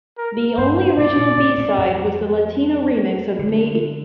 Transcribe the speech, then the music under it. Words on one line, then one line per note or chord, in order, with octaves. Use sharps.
The only original B-side was the Latino remix of "Maybe".
A#4
G2 C5
A2 D5
A#2
A2
A2
F2
D3